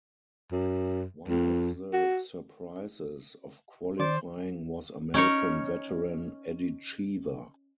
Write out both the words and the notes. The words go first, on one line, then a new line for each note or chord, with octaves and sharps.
One of the surprises of qualifying was American veteran Eddie Cheever.
F#2
F2
F#4
D#3 C5 D5
C#4 D#4 A#4 C#5